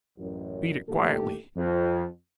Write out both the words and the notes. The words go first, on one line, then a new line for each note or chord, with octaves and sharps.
"Beat it quietly."
A1 F#2
G1 A#2 D#3 A3 G4 A4
F2